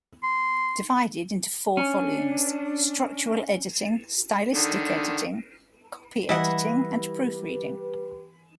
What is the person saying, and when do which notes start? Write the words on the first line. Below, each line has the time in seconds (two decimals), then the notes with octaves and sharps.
Divided into four volumes: structural editing, stylistic editing, copy editing, and proofreading.
0.23 C6
1.77 C#4 D4
4.55 D3 D#3
6.29 E3 G3 E4 G4 B4 D#5 F#5